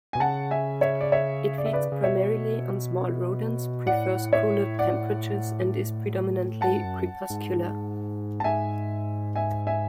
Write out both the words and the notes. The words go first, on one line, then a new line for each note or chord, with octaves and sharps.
It feeds primarily on small rodents, prefers cooler temperatures, and is predominately crepuscular.
B2 G#5
C#3 F#5 A5
E5 G#5
C#5 E5
D5
C#5 E5
D5
E5
B4 D5
C#3
B2 C#5 E5
A2 D5 F#5
C#5 E5
D5 F#5
G#2 F#5 A5
F#2
G#2
A5
G#2 E5 G#5
E5 G#5
E5 G#5